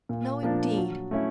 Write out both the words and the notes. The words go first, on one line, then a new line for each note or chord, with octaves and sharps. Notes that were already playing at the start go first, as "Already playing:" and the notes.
No, indeed!
A#2
F3 A#3 D4
F#3
A3 C#4 E4